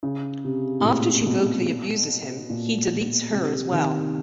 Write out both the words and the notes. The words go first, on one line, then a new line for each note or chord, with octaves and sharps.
After she vocally abuses him, he deletes her as well.
C#3
C3
A2
A#2
B2
A#2
C3
D#3